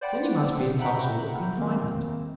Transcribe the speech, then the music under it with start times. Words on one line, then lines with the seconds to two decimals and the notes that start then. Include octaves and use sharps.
Then he must be in some sort of confinement.
0.01 C5 D5 F#5 G5 B5
0.79 E5 F#5 G5 A#5 B5 G6
1.56 D#3 A#3 C4